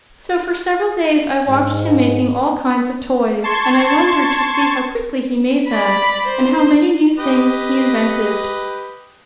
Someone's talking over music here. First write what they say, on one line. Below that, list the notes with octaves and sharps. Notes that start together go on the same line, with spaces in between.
So for several days I watched him making all kinds of toys, and I wondered to see how quickly he made them, and how many new things he invented.
G#2
A5 C6 C#6 G#6
D5 B5
C5
G4 B4 D#5